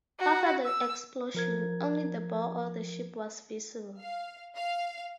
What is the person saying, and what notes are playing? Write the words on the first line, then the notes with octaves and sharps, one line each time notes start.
After the explosion, only the bow of the ship was visible.
F#4
E6
F3 A#4 G#6
F5
F5